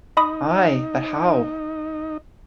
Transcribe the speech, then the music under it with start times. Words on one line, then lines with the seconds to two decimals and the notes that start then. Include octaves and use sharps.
Ay, but how?
0.17 D#4 D#5 B5 D#6